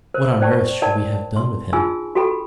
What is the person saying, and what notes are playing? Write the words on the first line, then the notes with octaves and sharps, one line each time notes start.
"What on earth should we have done with him?"
A#4 C5
C5 D5 G5 A5 C#6
D#4 A#4 C#5 D5 G5 A5
C6
D4 D#4 F4 G#4 G#5 E6
F#4 G4 A4 G5 B5